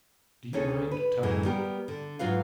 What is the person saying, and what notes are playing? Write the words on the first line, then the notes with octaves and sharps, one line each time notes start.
Do you mind telling?
D2 D3 C#4 G#4 A4 C#5
B4
F#2 A2 E3 G#3
G3 B3 G4 A#4
D3
G#2 B2 F#3 F4 B4 F5